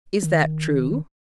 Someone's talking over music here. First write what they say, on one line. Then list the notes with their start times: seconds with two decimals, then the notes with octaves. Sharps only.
Is that true?
0.23 D#3